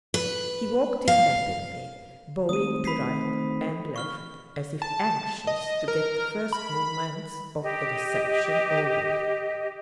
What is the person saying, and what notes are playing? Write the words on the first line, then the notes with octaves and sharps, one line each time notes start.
He walked in rapidly, bowing to right and left as if anxious to get the first moments of the reception over.
B4
F5
D#3 A3 C4 D#6 D#7
B5 B6 C7
C#6 F6 G7
A5
D#5
A#4
B5
G4 D#5